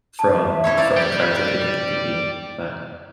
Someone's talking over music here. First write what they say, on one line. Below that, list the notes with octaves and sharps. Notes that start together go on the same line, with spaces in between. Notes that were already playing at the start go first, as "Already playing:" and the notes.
from from the tribes that they think it could be, but
A5
E5
D#4 E4 C#5
E4 D5 F5 E6
D5 G5